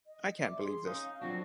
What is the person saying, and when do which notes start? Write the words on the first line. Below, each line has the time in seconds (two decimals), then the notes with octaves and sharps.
I can't believe this.
0.06 D#5
0.44 D5 E5
0.60 G#4 C6
0.86 C#4 D#4 F5
1.21 F#3 C4 D4 F4 F#4